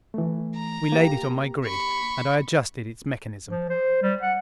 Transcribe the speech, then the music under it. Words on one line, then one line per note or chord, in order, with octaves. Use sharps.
We laid it on my grid, and I adjusted its mechanism.
E3 A3
A#5
A#3 G4
B5 C#6
F3
C5
G3
F#5